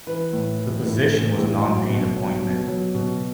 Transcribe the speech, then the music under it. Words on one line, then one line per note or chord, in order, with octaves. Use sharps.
The position was a non-paying appointment.
E3 B4
A2
E3
A2
E3
A2
F#3
B2
F#3
B2
F#3
B2